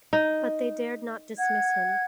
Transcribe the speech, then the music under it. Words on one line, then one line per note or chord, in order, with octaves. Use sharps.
But they dared not dismiss him.
D#4
F#5 G#6